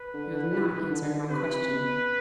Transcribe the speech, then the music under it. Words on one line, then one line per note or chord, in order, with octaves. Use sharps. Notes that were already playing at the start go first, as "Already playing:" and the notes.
You have not answered my question.
Already playing: B4
D3
D3
E3
D3
C3 B4
B2